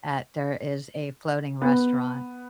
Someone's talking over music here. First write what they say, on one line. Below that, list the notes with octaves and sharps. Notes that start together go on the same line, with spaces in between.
at there is a floating restaurant
B3